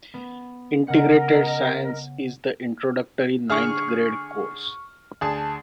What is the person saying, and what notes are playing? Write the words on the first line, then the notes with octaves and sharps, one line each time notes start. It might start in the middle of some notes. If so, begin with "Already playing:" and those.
Integrated Science is the introductory ninth grade course.
B3
C#3 A#4 D#5 F#5 C#7
D3 G#4 C#6 F6
D2 G#4 A5